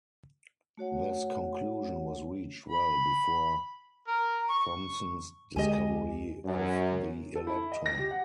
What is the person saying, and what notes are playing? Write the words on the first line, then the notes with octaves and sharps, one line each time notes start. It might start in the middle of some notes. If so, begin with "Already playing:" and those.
This conclusion was reached well before Thomson's discovery of the electron.
A3 F#4 C#5 F#5
B5
A#4
C#6
D2 G#3 G4 D#5 G#5
F#2
A4
E4
D#5
A#6
G4
F#5